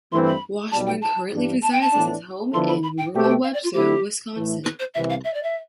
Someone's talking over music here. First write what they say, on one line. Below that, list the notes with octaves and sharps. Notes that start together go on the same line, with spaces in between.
Washburn currently resides at his home in rural Webster, Wisconsin.
G2 E3 A3 C4 E4 C6
B5
B1 B2 G3 A5
G5
A5
G2 E3 G3 D4
A5
G5
A5
A2 E3 B3 D4
D3 F3 B3 E4 A4 C6
B5
B5
G5
B2 A3 C4 G4
A5
G5
F5
D5
F4
D3 A3 C4 E4 G4
A2 E3 A3
B4
C5
C2 C3 E3 E5
F5
E5
D5
E5